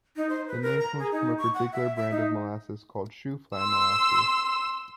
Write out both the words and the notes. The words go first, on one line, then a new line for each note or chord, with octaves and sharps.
The name comes from a particular brand of molasses, called Shoofly Molasses.
D#4
C5
B4
A#4
A#5
G#4
D#4
C#6
F#5
E5
E5
D#4
C6 E6